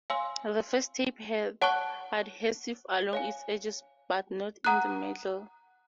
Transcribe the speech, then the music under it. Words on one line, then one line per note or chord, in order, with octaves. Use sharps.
The first tape had adhesive along its edges but not in the middle.
C#5 F5 G#5 C6 E6
C#5 F#5 A5 C#6 F#6
C#5 F5 G#5
F#5 A#5 D#6 F#6